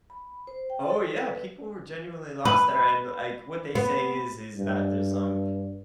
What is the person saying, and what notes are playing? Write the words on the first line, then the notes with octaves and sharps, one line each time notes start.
Oh, yeah, people were genuinely lost there, and, like, what they say is is that there's, um,
B5
C5
G5
A4
B4
B4
B3
G2